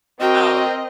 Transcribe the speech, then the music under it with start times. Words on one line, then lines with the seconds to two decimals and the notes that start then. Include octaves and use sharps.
Oh, i
0.21 C4 F#4 A#4 D#5 G5